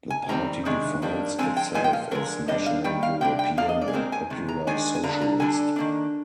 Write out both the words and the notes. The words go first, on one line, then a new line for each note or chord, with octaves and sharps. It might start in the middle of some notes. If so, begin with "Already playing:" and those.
The party defines itself as "National European" and "Popular Socialist".
G#5
D#3 G3 C4 A#5
C3 D#3 G#3 D4
D#3 G3 A#3 D4
F3 G#3 C4 G#5
G5
A#2 F3 G#3 G#5
G5
F5
D3 F3 G#3 A#4
C3 G3 D4 D#5
F5
D#3 G3 G5
F5
C3 G3 D4 G5
G5
F3 A#3 D4 F5
D#5
D5
G#4
A#2 G#3 C4 A#4
G#5
C3 D#3 G#3
A#5
D#3 G#3 D4 G#5
G#5
D3 G3 A#3 D4 A#5
A#5
D3 G3 D4 G#5
D#3 A#3 D4